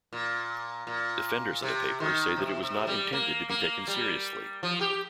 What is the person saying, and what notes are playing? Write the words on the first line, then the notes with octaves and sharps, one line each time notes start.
Defenders of the paper say that it was not intended to be taken seriously.
A#2
A#2
C3
D#3
C3
C3
G3
A#3
A#3
G3
F3
G4